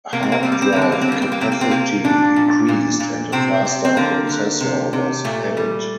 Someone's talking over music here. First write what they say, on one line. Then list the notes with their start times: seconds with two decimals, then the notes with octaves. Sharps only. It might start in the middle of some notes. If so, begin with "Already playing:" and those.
Hard drive capacity increased and a faster processor was added.
0.13 C3 A#3
0.23 C4
0.32 A#3
0.43 G3 C4
0.52 A#3
0.62 C4
0.72 D3 A#3
0.82 C4
0.92 A#3
1.01 C4
1.08 G3 A#3
1.22 C4
1.32 A#3
1.41 C3 C4
1.52 A#3
1.61 C4
1.71 C3 A#3
2.04 A#2 D4
2.36 A#2
2.68 A#2
3.00 A#2
3.32 C3 C4
3.65 C3
3.85 C4
3.97 D3 A#3
4.29 D3
4.60 C3
4.93 C3
5.25 A#2 A3
5.57 G3